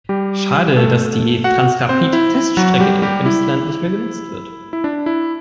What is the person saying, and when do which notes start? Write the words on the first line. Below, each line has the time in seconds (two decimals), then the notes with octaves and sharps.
Schade, dass die Transrapid-Teststrecke im Emsland nicht mehr genutzt wird.
0.09 G3 G4
0.77 A3 A4
1.44 F#4 F#5
1.89 C4 C5
2.13 E4
2.35 E4
2.57 F#3 F#4
2.80 G3 G4
3.02 G3 G4
3.26 E4
4.73 E4
4.84 D4
5.06 E4